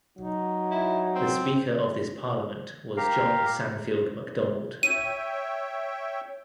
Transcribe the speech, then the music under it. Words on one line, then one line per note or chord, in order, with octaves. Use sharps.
The Speaker of this parliament was John Sandfield Macdonald.
F#3 D#4
E4
C4
G4 A#4 F5
C#5 E5 G5 D#7